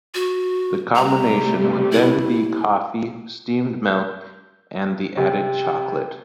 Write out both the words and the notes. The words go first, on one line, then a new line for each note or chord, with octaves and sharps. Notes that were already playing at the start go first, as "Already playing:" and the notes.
The combination would then be coffee, steamed milk, and the added chocolate.
F#4
C3 G3 A3 A#5
E4
G6
C3